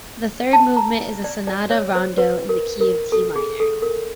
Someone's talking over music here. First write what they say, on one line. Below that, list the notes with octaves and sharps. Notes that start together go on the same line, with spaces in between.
The third movement is a sonata-rondo in the key of D minor.
A5
A#5
D5
D5
C#5
C5
B4
A#4
A#4
A4
G#4
A4
A#4